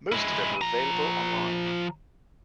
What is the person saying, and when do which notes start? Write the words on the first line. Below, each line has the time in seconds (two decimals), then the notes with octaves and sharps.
Most of them are available online.
0.12 G#3 E4
0.61 F3 A#5